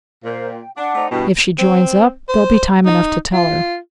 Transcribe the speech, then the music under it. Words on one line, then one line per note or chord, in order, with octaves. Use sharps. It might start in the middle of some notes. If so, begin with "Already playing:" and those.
If she joins up, there'll be time enough to tell her.
A#2 A#4 C5 F5
G5
D4 D5 F#5 D6
A3 C4 D#4
G2 B2 E4 G5 A5
C4
C5
D#4
F4